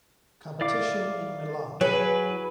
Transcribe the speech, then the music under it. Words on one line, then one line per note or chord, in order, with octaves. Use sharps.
Competition in Milan.
E4 D5 F5 D6
F#3 G#4 B4 C#5 G#5